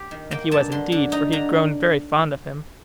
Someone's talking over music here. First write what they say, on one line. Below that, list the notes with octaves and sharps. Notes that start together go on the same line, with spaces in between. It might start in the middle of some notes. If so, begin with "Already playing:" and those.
And he was indeed, for he had grown very fond of him.
Already playing: G4
D#3
A#3 G5
G2 A5
D3 C6
D3
D#4 A#5
D3 A#5